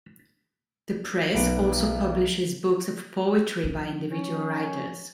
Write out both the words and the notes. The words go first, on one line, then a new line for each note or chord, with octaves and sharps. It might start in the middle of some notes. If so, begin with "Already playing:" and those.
The press also publishes books of poetry by individual writers.
B1 B3 D7
F3
C#4